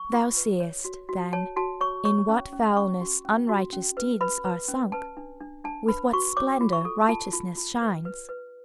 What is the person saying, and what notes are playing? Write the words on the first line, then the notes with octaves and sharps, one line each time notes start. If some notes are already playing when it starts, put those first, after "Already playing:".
'Thou seest, then, in what foulness unrighteous deeds are sunk, with what splendour righteousness shines.
Already playing: C#6
F4
B4
C#5
F#4
F#4
C#5 A5
F#4 A5
C#5 C#6
C#5 C#6
C#4
C#4
C#4 C#6
F#4
C#4
F#4
C#4
B4
B4 B5
B4
C#4
B4 A5
D4
D4
D4 A5
B4 B5
F#4 C#6
C#5 D6
F4
C#6
A4
F4 A5
F4
F4
B4
B4
B4